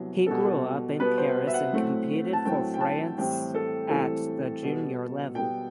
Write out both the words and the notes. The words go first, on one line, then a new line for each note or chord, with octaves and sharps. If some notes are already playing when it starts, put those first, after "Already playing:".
He grew up in Paris and competed for France at the junior level.
Already playing: C2 C3 F#3 B3
B2 G3 B3 A4
A4
B2 G3 B3 B4
C5
E5
F#5
A2 F#3 A3 C4
A5
A2 F#3 A3 C4 G5
G5
A5
A2 E3 G3 C4 G5
A4
A2 E3 G3 C4 A4
B2 G3 B3
B2 G3 B3 G5